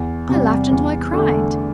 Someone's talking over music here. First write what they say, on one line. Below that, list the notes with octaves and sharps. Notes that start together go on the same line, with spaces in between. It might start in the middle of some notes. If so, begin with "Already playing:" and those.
I laughed until I cried.
Already playing: E2
C3 G3
E2
D3 A3